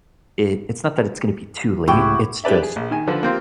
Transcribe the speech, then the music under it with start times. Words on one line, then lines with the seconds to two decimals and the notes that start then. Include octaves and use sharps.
it it's not that it's gonna be too late, it's just
1.88 C#2 A2 E4 F#4 G4 G5
2.44 D4 G4 B4 D5 E5
2.63 G#4
2.76 A#1
2.91 D#3 G#5
3.07 D3 F3 B4
3.23 A#3 C4 F4 G4